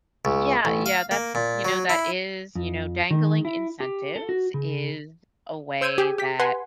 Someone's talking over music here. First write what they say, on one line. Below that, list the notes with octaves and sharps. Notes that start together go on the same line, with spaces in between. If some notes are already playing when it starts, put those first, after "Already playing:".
Yeah. Yeah, that's you know, that is you know, dangling incentives is a way that
C#2
A1
F5
A#3
A#2
F#3
E4
F2
D#3
E4
G4
A4
F#4
C#3
C5 E6 G6 G#6 D#7
G4 G#4
G4 B6
B4 F#5 G#5 C6